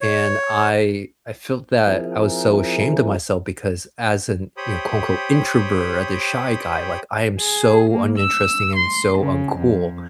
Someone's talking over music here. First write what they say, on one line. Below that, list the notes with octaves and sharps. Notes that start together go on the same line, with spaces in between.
And I I felt that I was so ashamed of myself because as an, you know, quote, unquote "introvert," as a shy guy, like, I am so uninteresting and so uncool
C#5
F3 C4 E4 G#4 A#4
G4 C5 C#5 G5 B5 D#6
G#4
A#3
E6
C6
C#3
F2